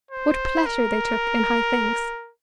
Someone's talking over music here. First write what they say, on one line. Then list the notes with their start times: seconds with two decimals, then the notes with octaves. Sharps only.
What pleasure they took in high things!
0.11 C5
0.66 A#4